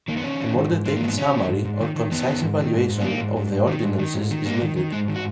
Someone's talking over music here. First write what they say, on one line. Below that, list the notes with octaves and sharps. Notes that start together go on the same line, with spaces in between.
A more detailed summary or concise evaluation of "The Ordinances" is needed.
D#3 A#3
B3
D#3 C#4
D#3
G#2
G#2
G#2 G#3
A#3
D#3
B3
D#3 C#4
D#3
G#2
G#2
D#3
D#3
D#3 B3
D#3
G#2
D#3
G#2
G#2
B3
D#3 A#3
G#2
G#2
G#2
D#3
G#2
D#3
G#2
D#3
G#2 A#3
D#3
D#3
G#2 G#3
D#3
F#4